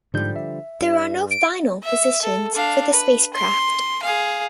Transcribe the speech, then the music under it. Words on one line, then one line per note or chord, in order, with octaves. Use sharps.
There are no "final" positions for the spacecraft.
G#2 D3 F3 G3 G6
E5
G2
D7
E5
A4
D4 F5
B4
C6
G#4 F5